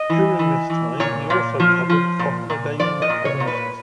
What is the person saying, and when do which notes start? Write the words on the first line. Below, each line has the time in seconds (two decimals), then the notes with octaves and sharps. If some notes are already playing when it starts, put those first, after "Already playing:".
During this time he also covered for holidaying presenters.
Already playing: D#5
0.10 E3
0.39 E3
0.70 E3
1.00 A#2 C#5
1.30 A#2
1.60 F3
1.90 F3
2.19 A#2
2.50 A#2
2.79 F3 D5
3.02 D#5
3.09 A#2
3.25 C#5
3.40 A#2
3.47 B4